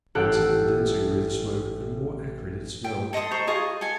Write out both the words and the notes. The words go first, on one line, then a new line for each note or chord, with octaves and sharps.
Denser and denser grew the smoke, and more acrid its smell.
A1 G4 A4 F#5 F#6
G5
A4 D#5 C6 D#6
A4 C5 A#5 C#6
F4 G#4 D#5 C#6
A4 G#5